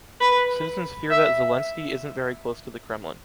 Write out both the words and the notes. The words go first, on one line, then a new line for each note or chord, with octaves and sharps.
Citizens fear that Zelensky isn’t very close to the Kremlin.
B4
E5